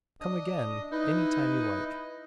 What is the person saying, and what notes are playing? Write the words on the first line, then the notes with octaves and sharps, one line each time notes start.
"Come again any time you like."
D4 D#5 D#6
D#4 E4 B4 D#5